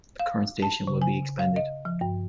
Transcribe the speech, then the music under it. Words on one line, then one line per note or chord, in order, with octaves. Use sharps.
The current station will be expanded.
F5
A5
C#3
G#5
F5
D#5
F3
G2